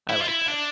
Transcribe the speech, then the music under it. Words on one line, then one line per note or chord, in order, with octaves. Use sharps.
I like that.
E4
F4
E4
D4